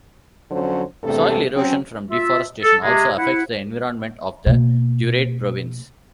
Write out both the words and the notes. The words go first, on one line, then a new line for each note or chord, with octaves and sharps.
Soil erosion from deforestation also affects the environment of the Duarte Province.
F2 D3 F#3 C#4 C5
E2 G2 C3 A3 A4
F#3 C4 C#4
F4 E5
A4
C3 G#3
E4 F#5
B2 A#3